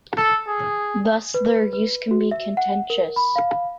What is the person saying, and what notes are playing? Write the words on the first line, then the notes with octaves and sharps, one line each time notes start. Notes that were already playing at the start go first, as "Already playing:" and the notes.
Thus their use can be contentious.
A4
G#4
B4
B4
B4
F#4
E5
F#5
A#4
B5
F5